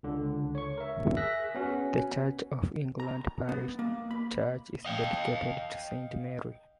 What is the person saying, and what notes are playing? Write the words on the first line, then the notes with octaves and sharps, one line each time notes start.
The Church of England parish church is dedicated to Saint Mary.
C#2 D3
C#5 C#6
A#4 E5
G#4 E5 F#6 A#6 B6
B3 C#4 F#4
A#5
B3
A#3
B5
D#5 F5 G5